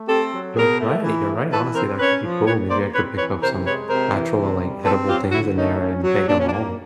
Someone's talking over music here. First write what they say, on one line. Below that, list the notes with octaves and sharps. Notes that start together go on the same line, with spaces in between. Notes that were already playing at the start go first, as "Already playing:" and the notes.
You're right. You're right. Honestly, that could be cool. Maybe I could pick up some actual, like, edible things in there and take them home.
Already playing: A3
C4 G4 A4
F#3
B2 G#4 A#4
A3
E3
A3
E3 A4 B4
C4 A#4 C5
C#4 B4 C#5
F3
A#2 B4 C#5
A#3 C5 D5
C4 B4 C#5
E3 B4 C#5
C3 A#4 C5
G#3 B4 C#5
C3 A#4 C5
E3
C3
G3
C4 A4 B4
F#3 F4 G4
D3 E4 F#4
A3 C#4 D#4
C#4
F#3
A#2 D4
C#4
D4
A#3